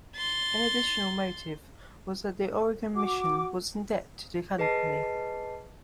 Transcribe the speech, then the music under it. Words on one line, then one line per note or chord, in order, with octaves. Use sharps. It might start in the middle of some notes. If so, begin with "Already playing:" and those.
An additional motive was that the Oregon Mission was in debt to the Company.
C6 A6
F#4 D6
G#4 B4 D#5 A5 C7